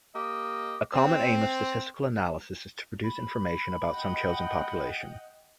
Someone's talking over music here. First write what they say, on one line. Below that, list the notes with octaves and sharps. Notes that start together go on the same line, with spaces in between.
A common aim of statistical analysis is to produce information about some chosen population.
A#3 G4 D#5
C4
B5
D#5 F#5 G5